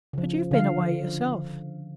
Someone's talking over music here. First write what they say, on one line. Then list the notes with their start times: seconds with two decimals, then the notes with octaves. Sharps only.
But you've been away yourself.'
0.13 C#3 F3
0.51 D3 F3 F5